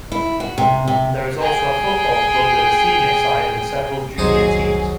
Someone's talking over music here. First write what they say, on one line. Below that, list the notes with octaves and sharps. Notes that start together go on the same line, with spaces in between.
There is also a football club with a senior side and several junior teams.
E4
F#4
C3
C3
G#4 G5
C2 F2 D#3 F#3 D#4 G#4 C5